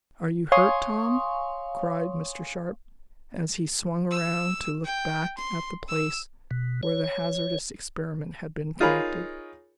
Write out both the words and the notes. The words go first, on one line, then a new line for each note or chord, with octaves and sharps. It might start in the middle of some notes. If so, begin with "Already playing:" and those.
"Are you hurt, Tom?" cried Mr. Sharp, as he swung around to look back at the place where the hazardous experiment had been conducted.
C#5 F5 G#5 C6 C#6 D#6
E6
G5
C6
E6
B2
C#5
D#4 F4 G#4 A#4 C#5 B5